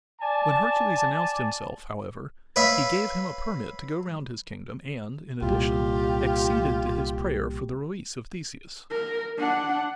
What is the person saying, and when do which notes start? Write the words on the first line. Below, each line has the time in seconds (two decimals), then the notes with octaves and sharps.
When Hercules announced himself, however, he gave him a permit to go round his kingdom and, in addition, acceded to his prayer for the release of Theseus.
0.21 D5 G#5 A5
2.56 B4 C#5 E5 F5
5.42 C2 A#2 F4 G4
8.90 A#4
9.37 D4 F#5